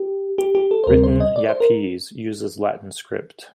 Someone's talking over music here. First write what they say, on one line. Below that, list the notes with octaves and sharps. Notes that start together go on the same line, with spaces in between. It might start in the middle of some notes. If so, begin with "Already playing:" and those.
Written Yapese uses Latin script.
Already playing: G4
G4
G4
A4
C5
D2 C3 G3 C4 A#4
C5
D#5
D5
C5
A#4